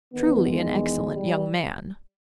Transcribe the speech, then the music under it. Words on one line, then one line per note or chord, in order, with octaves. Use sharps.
Truly an excellent young man.
E2 D#3 B3
G#3
G3